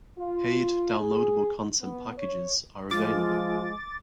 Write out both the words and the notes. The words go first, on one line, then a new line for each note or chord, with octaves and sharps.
Paid downloadable content packages are available.
F4
G#4
B3
C#5
F3 G#3 F4 D6 A6